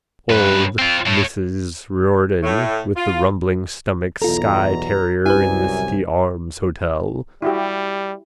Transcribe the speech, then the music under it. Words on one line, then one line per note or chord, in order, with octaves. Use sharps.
Old Mrs Riordan with the rumbling stomach's Skye terrier in the City Arms hotel.
F#2 B4
C4 F4
A2
A2
F4
B1 E2 B2 F4 A4 A#5
C2 F#2 E4 B4 G#5
G3 E4 F#4 G4